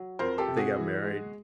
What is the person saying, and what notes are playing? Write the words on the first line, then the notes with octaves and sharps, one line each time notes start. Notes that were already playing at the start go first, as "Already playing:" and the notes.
they got married.
Already playing: F#3
F2 A#4 C5
G4 A4
C3
F#4 G#4
E3
G#3